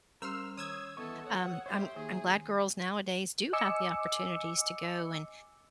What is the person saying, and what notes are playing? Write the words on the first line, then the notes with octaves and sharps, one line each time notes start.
Um, I'm I'm glad girls nowadays do have the opportunities to go and
G3 C#4 G4 A#4 C5 C6 E6 F6
D#3 C#5 D#6 E6 G#6
E3 B3 A4 D#5 C#6
C#5 F#5
G4 C5 C#5 E5 C6
D#3 A#3 D#4 G#4
D#5 G#5 D6 E6 C#7